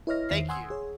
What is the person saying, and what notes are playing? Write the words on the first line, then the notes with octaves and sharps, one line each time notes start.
Thank you.
E4 B4 C#5 D#5 F6 A#6
E2 D#3 C5 E5 C7
F#5 G#5 C6 D#6 E6 G#6
G#4 C#5